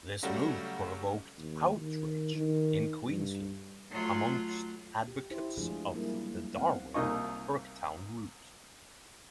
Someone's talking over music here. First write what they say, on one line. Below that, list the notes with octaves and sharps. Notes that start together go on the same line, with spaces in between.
This move provoked outrage in Queensland amongst advocates of the Darwin-Burketown route.
C#3 F#3 G3 A3
D#2
D#3
D#3
G2
F#3 A3 F4
G4
E4 G4 C5
F3 G#3 A3 D4 F4 G#4
F#3 G3 A#3 E4 A#4
B3 C4 F5 F#5
C2 A#3 D#4 F4 D#5 C#6